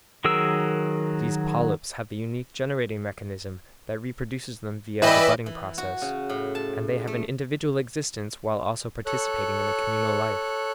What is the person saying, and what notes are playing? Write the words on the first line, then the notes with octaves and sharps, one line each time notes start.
These polyps have a unique generating mechanism that reproduces them via the budding process, and they have an individual existence while also participating in a communal life.
D#3 F#3 G#4 A#4 E6
E3 B4 D5 D#5 G5 B5 E6
E3
F#4
C#3
A2
A5
A3
A4 C#5 F#6